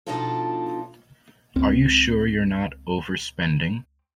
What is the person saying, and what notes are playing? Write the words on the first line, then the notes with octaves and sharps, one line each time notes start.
Are you sure you're not overspending?
B2 F3 D4 D#4 F4 A4
C#2 C4